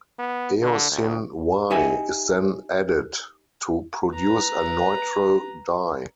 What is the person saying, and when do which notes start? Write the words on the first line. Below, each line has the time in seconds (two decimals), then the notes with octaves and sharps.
Eosin Y is then added to produce a "neutral" dye.
0.19 B3
0.62 D3
0.92 D2
1.70 D#4 G4 D#5 E5 G#5
4.13 B4 A#5